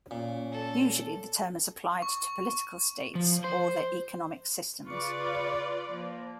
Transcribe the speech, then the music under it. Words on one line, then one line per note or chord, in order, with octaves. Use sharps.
Usually the term is applied to political states or their economic systems.
A#2 C#4
A4
C#6
F3
C5
C#3 F4 B4 D5 C#6
F3 A#3